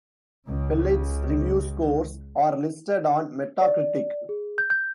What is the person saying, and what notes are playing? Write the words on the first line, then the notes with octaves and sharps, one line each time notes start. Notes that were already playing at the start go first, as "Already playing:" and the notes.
Pelit's review scores are listed on Metacritic.
C#2 C#3
D5
G#4
G6
G6